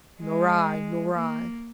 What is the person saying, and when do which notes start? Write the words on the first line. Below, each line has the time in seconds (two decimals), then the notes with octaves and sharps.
"Nor I,--nor I."
0.21 G#3
1.13 A#3